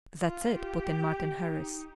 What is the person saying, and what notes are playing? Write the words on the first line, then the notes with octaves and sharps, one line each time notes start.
"That's it," put in Martin Harris.
F4
G4
D#4